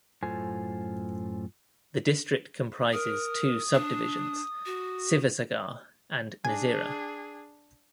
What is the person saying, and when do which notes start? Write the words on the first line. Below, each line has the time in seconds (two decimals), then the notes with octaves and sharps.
The district comprises two sub-divisions - "Sivasagar" and "Nazira".
0.23 F#2 A2 F4 A4 C5 G#5
2.92 A#4 D#6
3.72 D4
4.66 F#4
6.45 D4 G#4 G#5